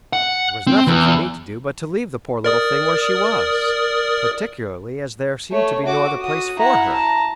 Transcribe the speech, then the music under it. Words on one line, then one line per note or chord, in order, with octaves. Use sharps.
There was nothing for me to do but to leave the poor little thing where she was, particularly as there seemed to be no other place for her.
F#5
C4
E2
A#4 D5 D#6
A3 C#5
F#4 D6
F#4 D#6
E4 F#5 A#5
A5